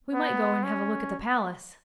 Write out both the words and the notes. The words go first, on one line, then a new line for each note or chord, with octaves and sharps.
'We might go and have a look at the Palace.'
B3
C#4